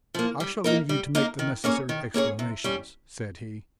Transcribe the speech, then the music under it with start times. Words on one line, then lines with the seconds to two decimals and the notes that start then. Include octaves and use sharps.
"I shall leave you to make the necessary explanations," said he.
0.15 F3 A#3
0.40 G3
0.64 A#3 D#4 A#4
0.89 G3
1.15 A#3 D#4 A#4
1.39 D#3
1.64 A#3 C#4 G#4 C#5
1.89 D#3
2.14 A#3 C#4 G#4 C#5
2.39 C3
2.64 G3 C#4